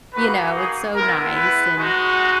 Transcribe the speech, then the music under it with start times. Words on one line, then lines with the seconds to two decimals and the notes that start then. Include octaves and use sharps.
you know, it's so nice, and,
0.15 A#3 D#4 F#4 B4
0.56 G#4
0.96 G#3 B3 E4 A#4
1.36 B4
1.77 G#3 D#4 F#4